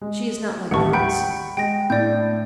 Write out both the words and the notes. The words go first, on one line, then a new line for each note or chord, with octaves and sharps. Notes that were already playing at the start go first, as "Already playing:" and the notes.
"She is not like Prudence."
G#3
A1 D#2 F#5 A5 C#6
F#5 G5 B5 G6
G#3 G5 A#6
A2 D4 D5 G6